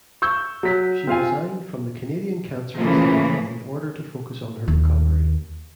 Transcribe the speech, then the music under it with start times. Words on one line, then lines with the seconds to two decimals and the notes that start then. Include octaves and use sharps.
She resigned from the Canadian Cancer Society in order to focus on her recovery.
0.22 C#6 E6 G6
0.63 F#3 B6
1.07 C4 F4 F5 G#5
2.77 C#3 E3 F3 A3 A#3
4.68 D#2